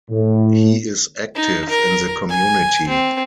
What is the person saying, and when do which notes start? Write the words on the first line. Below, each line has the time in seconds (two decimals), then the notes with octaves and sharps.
He is active in the community.
0.11 A2
1.36 D#4
1.69 A#4
2.29 G#5
2.88 C4